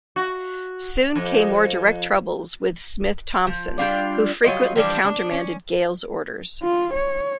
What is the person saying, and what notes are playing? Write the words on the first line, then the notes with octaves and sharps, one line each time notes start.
Soon came more direct troubles with Smith Thompson, who frequently countermanded Gale's orders.
F#4
F2
F3
G3 D4 F4 D5
F#3 G3 F4 D#5
E3 F3 G3 D4
D4
C#4
F4
C#5